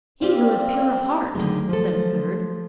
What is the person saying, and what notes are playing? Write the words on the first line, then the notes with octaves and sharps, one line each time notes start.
"He who is pure of heart," said a third.
C4 F4 G4 D5 F5
D3 D#3 F#3 G#3 A3
F3 A4 C5